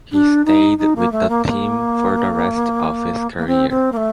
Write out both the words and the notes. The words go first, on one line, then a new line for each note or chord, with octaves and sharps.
He stayed with the team for the rest of his career.
D4
D#4
D#4
A#3
A3
A#3
A#3
A#3
C4
C4
A#3
A3